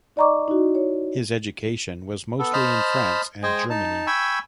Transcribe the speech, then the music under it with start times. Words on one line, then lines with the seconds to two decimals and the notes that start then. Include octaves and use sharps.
His education was mostly in France and Germany.
0.16 D#4 D5 D#5 A#5 C#6 D6
0.48 D#4 E4 F#4
0.75 C#5
2.39 B3 A4
2.53 C5 D#5 A5 B5 F6
3.43 G#3 C5 D#5 G5 G#5
3.70 D#4 A5
4.07 G5 G#5 B5 C#6 E6